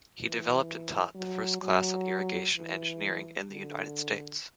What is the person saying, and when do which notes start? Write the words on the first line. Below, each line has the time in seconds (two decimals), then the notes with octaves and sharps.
He developed and taught the first class on irrigation engineering in the United States.
0.20 E3
1.15 F#3
1.62 F#3
2.57 E3
3.51 D3